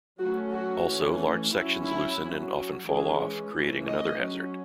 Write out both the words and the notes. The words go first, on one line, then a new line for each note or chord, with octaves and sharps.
Also, large sections loosen and often fall off, creating another hazard.
F#3 A3 C#4 F#4
F#4
E3 A3 C#4
F#3 C#4 E4
E4
F#3 C#4
E3 G#3 C#4 G#4
E3 A3 C#4
D#5
F#3 C#4